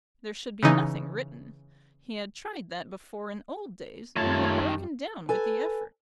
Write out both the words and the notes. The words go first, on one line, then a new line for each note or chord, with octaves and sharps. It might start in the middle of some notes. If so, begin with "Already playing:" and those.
There should be nothing written; he had tried that before in old days, and had broken down with the effort.
C#3 E3 D#4
F#2 D#3 G3 A3 F4 C#5 A5
A4 B4 G#5